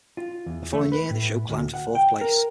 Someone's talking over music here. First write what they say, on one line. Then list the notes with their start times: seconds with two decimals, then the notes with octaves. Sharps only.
The following year, the show climbed to fourth place.
0.17 F4
0.46 E2
0.73 A3
0.92 B4
1.10 A2
1.50 D2
1.74 F#5
1.95 G5
2.21 A#4